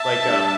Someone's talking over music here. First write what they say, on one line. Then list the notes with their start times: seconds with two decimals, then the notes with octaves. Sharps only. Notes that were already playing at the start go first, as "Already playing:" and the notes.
Like, uh
Already playing: E5 A5
0.21 G3 D4